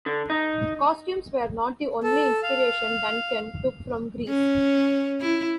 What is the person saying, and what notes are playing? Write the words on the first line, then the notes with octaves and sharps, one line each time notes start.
Costumes were not the only inspiration Duncan took from Greece.
D3
D#4
A4
F5
C#4
E4